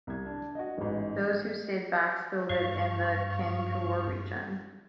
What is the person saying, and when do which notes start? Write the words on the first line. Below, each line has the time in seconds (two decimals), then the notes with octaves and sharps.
Those who stayed back still live in the Kanjoor region.
0.07 C2 G#6
0.26 D4
0.55 F#4 D#5
0.78 A1 G#2
2.50 G2 F5 C#6